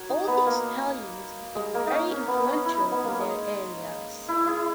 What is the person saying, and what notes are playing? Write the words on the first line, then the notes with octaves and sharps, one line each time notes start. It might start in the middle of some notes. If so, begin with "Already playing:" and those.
All these stallions became very influential in their areas.
Already playing: F#4 A#4 C#5
D#4
B3
A#3
G#3
A#3
C#4 D#4
C#4
B3
C#4
E4
D#4
B3
A#3
G#3
E4
E4 G#4